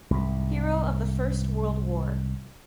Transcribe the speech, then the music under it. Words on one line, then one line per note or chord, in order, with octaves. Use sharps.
Hero of the First World War.
C2 G#2